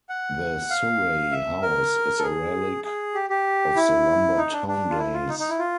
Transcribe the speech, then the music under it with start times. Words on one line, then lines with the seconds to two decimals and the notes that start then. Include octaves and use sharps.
The Surrey House is a relic of the lumber town days.
0.09 F#5
0.70 F5
1.31 E5
1.62 A#4
2.19 A4
2.23 G#4
2.84 G#4
3.14 G4
3.30 G4
3.76 E4
4.37 D#4
4.53 D4
4.68 D4
4.90 F4
4.98 E4
5.14 F4
5.29 D#4
5.39 D#4
5.49 E4
5.59 F4